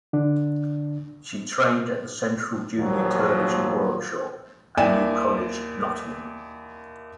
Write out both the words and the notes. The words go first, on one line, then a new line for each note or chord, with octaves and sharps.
She trained at the Central Junior Television Workshop and New College, Nottingham.
D3 D4
D#2 A#2 F3 F#3
D#2 E4 D5 G5 G#5 E7